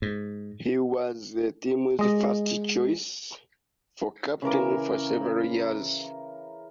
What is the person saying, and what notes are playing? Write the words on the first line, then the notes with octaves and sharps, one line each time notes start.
He was the team's first choice for captain for several years.
G#2
G#3 D#5
C#3 E3 A#4 D6